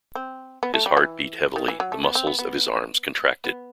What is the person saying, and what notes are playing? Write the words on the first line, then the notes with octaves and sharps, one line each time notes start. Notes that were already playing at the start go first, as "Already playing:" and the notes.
His heart beat heavily, the muscles of his arms contracted.
C4
B3
A3
G3
E3
D#3
E3
F#3
A3
B3
C4
B3
B3
B3